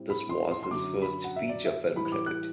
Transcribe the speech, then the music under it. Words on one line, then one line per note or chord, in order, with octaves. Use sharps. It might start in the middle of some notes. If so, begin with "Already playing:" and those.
This was his first feature film credit.
Already playing: A2 G3 C4
B5
C6
C6
C6
F#2 D3 F#3 D6
B5
F#5
E5
D5
E5
A2 E3 G3 B5
D6
F#6